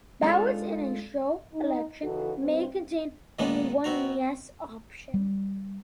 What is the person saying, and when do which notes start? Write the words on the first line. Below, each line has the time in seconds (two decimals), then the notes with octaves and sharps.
Ballots in a show election may contain only one "yes" option.
0.22 G#3 C4 D4 D#4 F4 A4
1.54 D#4
2.03 C#3 E3 D#4 F#4 A4
2.40 G2 C4
3.39 A#2 D#3 G#3 A#3 B3 D4
3.84 B2 C4 F#4 A#5
5.14 G3